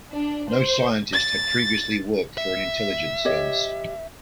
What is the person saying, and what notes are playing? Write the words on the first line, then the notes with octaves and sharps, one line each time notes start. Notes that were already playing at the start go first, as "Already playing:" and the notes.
No scientist had previously worked for an intelligence service.
D4
C5
A6
E5
G4 C#5 D#5